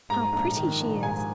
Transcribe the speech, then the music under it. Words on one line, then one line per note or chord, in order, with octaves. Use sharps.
How pretty she is!
G#2 A#5
A#1
D#3
A#1
G#2 G#5